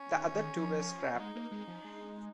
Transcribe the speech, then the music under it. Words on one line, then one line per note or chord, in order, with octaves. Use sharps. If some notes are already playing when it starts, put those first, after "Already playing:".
The other two were scrapped.
Already playing: C#4
D#3
D#3
F3
F3
G#3 D#4
A#3
G#3
F3
G#3